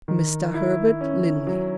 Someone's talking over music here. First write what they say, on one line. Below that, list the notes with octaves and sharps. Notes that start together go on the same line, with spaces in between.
Mr. Herbert Linley.
D#3
E4
C#4
F#3